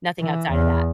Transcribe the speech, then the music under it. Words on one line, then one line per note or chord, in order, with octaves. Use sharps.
nothing outside of that.
E3
E2